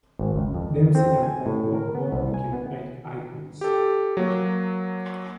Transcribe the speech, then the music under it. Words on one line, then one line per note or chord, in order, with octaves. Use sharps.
Dempsey and Firpo both became icons.
G#1
C#2
F2
C4
G#5
A2
A#4
B3
C2
G#5
B3
G4 A4
F#3 A#3